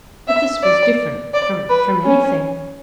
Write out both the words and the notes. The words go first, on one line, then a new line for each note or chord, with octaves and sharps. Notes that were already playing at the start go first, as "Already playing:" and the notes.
But this was different from--from anything.
E5
D5
D5
B4
C#4